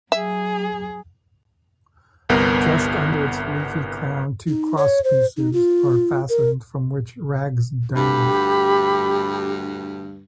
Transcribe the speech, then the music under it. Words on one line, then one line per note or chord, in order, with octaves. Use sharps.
Just under its leafy crown two crosspieces are fastened from which rags dangle.
F#3 G#4 E5
G1 C2 B3 A#4
D#4
C#5
C5
D#4
F4
A#4
D2 G2 G4 B5